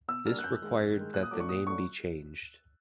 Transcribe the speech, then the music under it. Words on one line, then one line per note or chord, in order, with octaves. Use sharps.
This required that the name be changed.
B2 E6
G3 A#3 D4 F6
F#6
F#2 G6
D#3 G#3
F#2
D#3 G#3
A#2 F#6
D#6
F#3 A3 D4 D6
C#6
A#2 D#6
F#3 A3 D4 C#6